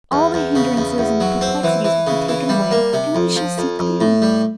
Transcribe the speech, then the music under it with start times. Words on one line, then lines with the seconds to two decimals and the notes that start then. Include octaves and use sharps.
All the hindrances and perplexities will be taken away, and we shall see clearly.
0.12 E2
0.34 E2
0.55 C#3
0.77 E2
0.98 E2
1.20 F#3
1.41 C4
1.63 E3
1.85 E3
2.07 C#3
2.29 E3
2.49 G3
2.71 A#3
2.93 C3
3.15 F2
3.36 F3
3.58 F2
3.79 F2
4.01 A2
4.22 G3